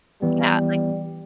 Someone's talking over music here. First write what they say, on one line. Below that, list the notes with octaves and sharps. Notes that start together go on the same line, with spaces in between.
Yeah, like
E3 G3 B3